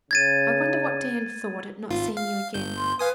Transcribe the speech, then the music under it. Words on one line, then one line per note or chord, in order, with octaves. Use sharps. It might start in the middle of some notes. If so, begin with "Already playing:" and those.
I wonder what Dan thought at not seeing you again?
C#3 G#6 A6 D#7
G#1 F4
F5
G1 G6
C6
B4 F5 G#5 D#6